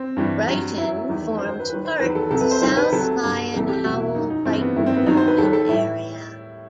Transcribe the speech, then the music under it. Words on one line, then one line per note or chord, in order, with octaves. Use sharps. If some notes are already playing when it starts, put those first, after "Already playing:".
Brighton forms part of the South Lyon-Howell-Brighton Urban Area.
Already playing: C4
G2 E3 G3
G2 F#3
F#2 F#3 E4
E2 D#3 G3
F#2 D#3 F#3 C5
C5
B4
D#2 D#3 G3 B4
C5
E2 D#3 F#3 B4
A4
C2 C3 F#3 A4
B4
C5
D#2 D#3 G3 C5
B4
C2 C3 F#3 A4
G2 F#3
C2 C3 E3 G3 A4
G4
E2 B2 G3 F#4
E4
F#2 F#3 D#4
D#4
G2 E3 G3 C4
B3
G2 D#3 G3 E4
C4
B3
G2 D#3 F#3 D#4
C5
B4
D#2 D#3 G3 A4
A4
A2 G3 E4